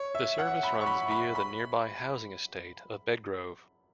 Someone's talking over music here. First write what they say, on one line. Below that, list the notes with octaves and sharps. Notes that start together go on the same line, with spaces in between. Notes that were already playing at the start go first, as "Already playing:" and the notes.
The service runs via the nearby housing estate of Bedgrove.
Already playing: C#5
E5
F#5
B5
C#6
B5
B5
B5